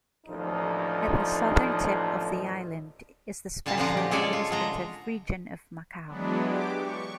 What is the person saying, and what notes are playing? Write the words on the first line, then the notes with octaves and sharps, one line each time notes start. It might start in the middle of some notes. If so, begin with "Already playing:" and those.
At the southern tip of the island is the Special Administrative Region of Macau.
A1 D#2 F3 D4 D#4 A4
A#2 D3 F5 A5 A#5
F3 C#4 F4 F#5 A#5
G4
G#3 C#4 A4 C#5 D5 G#5
F4
D3 G#3 A#5
E3 F#3 G#3 B3 D4
G4 D6
C#6